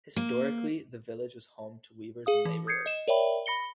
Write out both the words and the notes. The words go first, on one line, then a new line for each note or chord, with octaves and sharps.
Historically the village was home to weavers and labourers.
A#3
G#4 F5 D#6
E3
D#6 G6 G#6 C7 C#7
D#5 E7
A#4 C#5 D5 E5 G5 B5
B5 A#6 C#7 G7